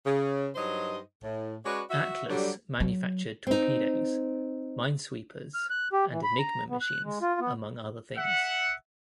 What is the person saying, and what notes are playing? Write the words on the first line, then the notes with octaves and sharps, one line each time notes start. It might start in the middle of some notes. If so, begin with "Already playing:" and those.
Atlas manufactured torpedoes, minesweepers and Enigma machines, among other things.
C#3
G2 F#3 D#4 C5 D#5
A2
G#3 C#4 F#4 B4 C#5 D5
F#4 E5
D3 F#3 G3
F#3
C4 D#4
F6
F#6
G4
E3
B5
A#5
B3
F#6
G#3
F4
B3
E5 F#5